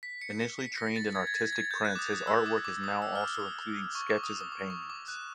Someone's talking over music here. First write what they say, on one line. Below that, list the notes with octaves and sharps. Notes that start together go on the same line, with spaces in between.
Initially trained in artistic prints his artwork is now also including sketches and paintings.
B6
C#7
C#7
B6
A#6
A6
G#6
G#6
A6
G#6
G6
F#6
D6
D#6
D#6
E6
D6
D6
D#6
E6
F6
E6
E6
D#6
C#6
D6
D#6
D#6
D6
C#6
D6
F#6